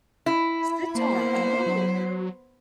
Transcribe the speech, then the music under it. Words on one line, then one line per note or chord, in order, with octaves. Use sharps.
Sitar. Oh.
E4
A#3 B3 C5
F#3